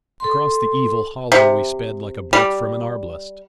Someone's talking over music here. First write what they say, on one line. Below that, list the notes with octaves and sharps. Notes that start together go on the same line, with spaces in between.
Across the evil hollow we sped like a bolt from an arblast.
A4 C6
C3
G3